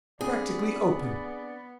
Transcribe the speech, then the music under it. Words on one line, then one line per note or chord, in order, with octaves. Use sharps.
Practically open.
B3 C4 D4 G#4 D5